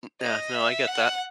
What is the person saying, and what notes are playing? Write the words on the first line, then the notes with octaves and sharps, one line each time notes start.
M uh, no. I get that.
D#5
E5
F#5